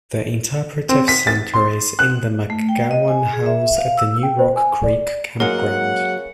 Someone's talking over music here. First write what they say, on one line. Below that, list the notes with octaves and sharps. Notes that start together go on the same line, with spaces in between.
The interpretive centre is in the McGowan House at the new Rock Creek Campground.
C4
B6
A6
C6
F#6
A3
G5
D#5
G#5
G#4
E5
F5
E6
G5
C5
G#5
D5
C#3 F#3 G#3 A#3 A#4 F#5